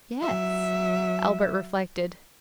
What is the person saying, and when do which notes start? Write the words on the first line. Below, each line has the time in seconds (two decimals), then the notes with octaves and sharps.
"Yes."--Albert reflected.
0.22 F#3 E5